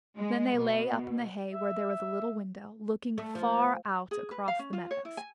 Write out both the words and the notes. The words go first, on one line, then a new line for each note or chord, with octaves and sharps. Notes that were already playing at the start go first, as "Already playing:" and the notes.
Then they lay up in the hay where there was a little window, looking far out across the meadows.
G#3
B2
E5
A3
F3
G#4
B4
F5
C#4
F4
C#5
E4
G#5